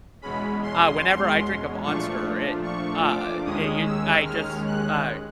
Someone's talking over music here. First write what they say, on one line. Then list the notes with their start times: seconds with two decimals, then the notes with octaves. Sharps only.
Uh, whenever I drink a Monster it, uh, it, you I just, uh,
0.22 E2 B2 G#3 C#4 B5
0.62 C6
1.82 A#2 F3 A3 D4 F4 C#6
2.63 C#6
3.04 D6
3.44 D#2 D#3 G#3 C#4 D#6
3.85 E6
4.25 F6
4.66 F#6